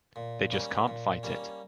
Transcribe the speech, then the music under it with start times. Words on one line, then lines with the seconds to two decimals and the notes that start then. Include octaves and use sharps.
They just can't fight it.
0.16 A#2
0.52 G3 A#3 C#4
0.88 A#2
1.23 G3 A#3 C#4